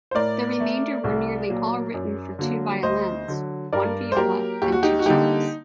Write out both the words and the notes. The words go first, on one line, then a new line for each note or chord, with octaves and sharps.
The remainder were nearly all written for two violins, one viola, and two cellos.
C5
A2 A#4 D5
A3
C2
A#2 F#3 A#3
F#2
D3 F#3 A#3
D2 C5 D#5
D3 F#3
G2 A#4 D5
C5
F#3 A#3 G4 A#4
D#2 G4
F#4
D#4 G4
F#4
D3 G3 A#3 D#4 G4